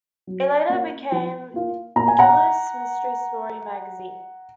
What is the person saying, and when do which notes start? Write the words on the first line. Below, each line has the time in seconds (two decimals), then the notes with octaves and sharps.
It later became "Killers Mystery Story Magazine".
0.27 F#3
0.69 A#3 C#4 F4
1.12 F3
1.54 A#3 F4
1.96 A#2 A#5
2.08 G#5
2.19 F#5 A#5